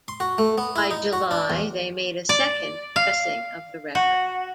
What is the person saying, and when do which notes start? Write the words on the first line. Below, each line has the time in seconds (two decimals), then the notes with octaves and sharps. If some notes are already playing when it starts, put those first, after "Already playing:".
By July, they made a second pressing of the record.
0.08 C6
0.20 F#4
0.38 A3
0.58 B3
0.76 E4
0.91 D#4
1.13 F#4
1.31 D4
1.50 E2
2.29 D5
2.96 F5
3.95 F#4